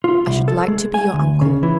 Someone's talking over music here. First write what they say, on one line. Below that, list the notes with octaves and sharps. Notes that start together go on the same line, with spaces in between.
I should like to be your uncle.'
F4
C2
A4
G#3
G#5
D2
C#3
E3